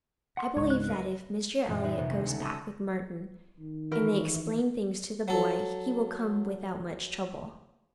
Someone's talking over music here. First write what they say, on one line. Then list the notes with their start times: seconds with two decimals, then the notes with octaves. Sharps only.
I believe that if Mr. Elliott goes back with Martin and they explain things to the boy, he will come without much trouble.
0.37 F#5 C6
0.57 C#2 G#2 C#5 C#6
0.70 F#6
0.89 A#4 B4 D#5
1.67 F#2 A#2 E3 G3 G#3
1.83 E3 C4 D#4 B4 C5 F#6
1.97 F2 C3 B3 F#6
2.09 D2 D#3 A#3 C4 C#4 A#6
2.26 C#3 G#3 B3 F#4 A4
2.42 D#5 G#5 A5 C#6 D#6 E6
3.59 D#3
3.91 E3 E4 F#4 A#4
5.28 F#3 A4